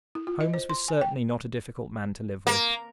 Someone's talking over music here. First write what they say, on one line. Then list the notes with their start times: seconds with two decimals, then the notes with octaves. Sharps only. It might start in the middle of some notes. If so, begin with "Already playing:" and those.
Holmes was certainly not a difficult man to live with.
0.15 E4
0.27 F4
0.41 D#5
0.54 C5
0.70 C6
0.88 G#5
1.01 G5
2.47 A#3